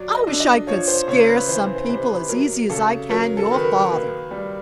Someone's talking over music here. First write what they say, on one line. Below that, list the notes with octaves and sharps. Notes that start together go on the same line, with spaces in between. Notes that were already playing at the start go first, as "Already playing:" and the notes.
"I wish I could scare some people as easy as I can your father."
Already playing: F#3 D5
D#5
D3
D#5
F3 C#5
C5
C#3 C#5
B4
E3 C5
C5
B4
C3 C5
B4
F#3 A#4
C#3 A4
F#3 A#4
A4
D#3 B4
A#4
A#4
A#3 B4
G3